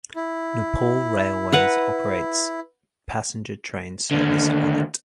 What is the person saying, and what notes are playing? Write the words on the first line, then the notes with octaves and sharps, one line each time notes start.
Nepal Railways operates passenger train service on it.
E4
B4 F#5 A#5
D#2 D3